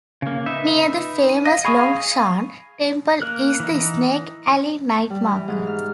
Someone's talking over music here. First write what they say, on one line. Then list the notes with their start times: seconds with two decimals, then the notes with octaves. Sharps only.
Near the famous Longshan Temple is the Snake Alley Night Market.
0.22 C#3 A#3
0.46 D#4 B4 E5
1.29 D#7
1.46 D#5 F5 A#6
1.65 G#4 F5 G#5 B5 C#6 D#6
3.22 A#3 A#4 F#6
3.60 E3 D#4
5.10 G3
5.30 E3
5.48 G#2
5.67 F6